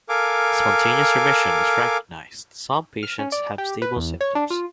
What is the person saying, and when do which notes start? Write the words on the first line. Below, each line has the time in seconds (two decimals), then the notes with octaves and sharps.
Spontaneous remission is recognized; some patients have stable symptoms.
0.09 A4 A#4 F5 G#5 D6
3.03 F6
3.19 C#4
3.32 D5
3.58 G4
3.82 B4
3.96 E2
4.21 C#5
4.35 D4
4.50 F4